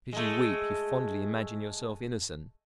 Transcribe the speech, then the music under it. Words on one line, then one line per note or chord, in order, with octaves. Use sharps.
Because you weep, you fondly imagine yourself innocent?
G#3 A3